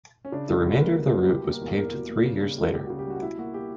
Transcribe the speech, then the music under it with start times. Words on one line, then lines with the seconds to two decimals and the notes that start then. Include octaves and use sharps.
The remainder of the route was paved three years later.
0.25 C#4
0.32 C#3 D4
0.48 G3 E4
0.64 C#2 F#4
0.74 B4
0.80 A#3 A#4
0.96 C#3
1.06 B4
1.13 G3
1.25 A#4
1.28 B2 G4
1.45 A#3
1.53 A#4
1.61 E2
1.77 E2 A#4
1.94 B2
2.09 A#3
2.25 C#3
2.42 G3
2.58 C#2
2.73 C#2 G4
2.86 C#3 F#4
2.99 G4
3.06 G3 F#4
3.16 F#4
3.22 B2 E4
3.38 A#3 F#4
3.54 G4